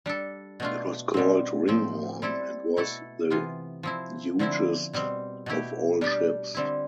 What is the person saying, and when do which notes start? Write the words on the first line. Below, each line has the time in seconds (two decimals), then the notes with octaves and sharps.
It was called Ringhorn, and was the hugest of all ships.
0.06 G3 D4 A4
0.60 B2 A3 D4 F4
1.14 B2 G3 C4
1.68 A2 F3 C4
2.22 G3 C4 E4 A4
2.77 B2 A3 E4 A4
3.30 C3 E3 B3 F4
3.83 F3 C4 E4
4.39 D3 F3 C4 E4
4.93 B2 G3 C4
5.46 B2 A3 E4 G4
6.01 G3 D4 G4
6.54 D3 G3 C4 E4